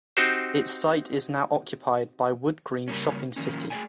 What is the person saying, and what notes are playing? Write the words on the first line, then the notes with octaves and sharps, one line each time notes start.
Its site is now occupied by Wood Green Shopping City.
C4 D#4 F#4 G4 C5
C#3 G3 A#3 C#4
D#3 F3 A#3 C#4
A3 G#4 A4 D5 G5 G#5